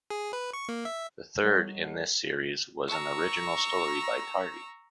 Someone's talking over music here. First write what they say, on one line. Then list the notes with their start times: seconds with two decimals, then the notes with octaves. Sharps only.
The third in this series was an original story by Tardi.
0.10 G#4
0.33 B4
0.53 C#6
0.69 A#3
0.85 E5
1.44 G3 A4 A#4 C#5 D#5 F#5
2.89 A#5 C#6 E6